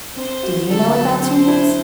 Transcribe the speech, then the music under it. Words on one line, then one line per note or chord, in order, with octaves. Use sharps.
Do you know what that tune is?
C4 C5
F#4
D3 A4
F#3
C4 C5
E4